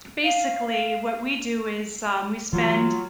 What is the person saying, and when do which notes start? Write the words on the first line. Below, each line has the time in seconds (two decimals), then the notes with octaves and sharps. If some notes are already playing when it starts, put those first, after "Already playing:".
basically what we do is, um, we spend,
0.24 F5
2.53 E3 F#3 G3 A3 F4